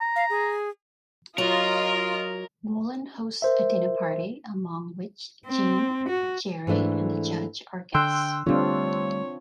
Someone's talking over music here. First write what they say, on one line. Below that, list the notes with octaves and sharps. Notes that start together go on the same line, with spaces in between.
Vollin hosts a dinner party, among which Jean, Jerry, and the Judge are guests.
A#5
F5
G#4
F#3 F4 A#4 D#5
A#4 C5 E5
C4
F#4
G#2 E3 A3 D4
D3 G5 C6 E6 F#6
D3 G3 A3 C4 D4 F4 C#5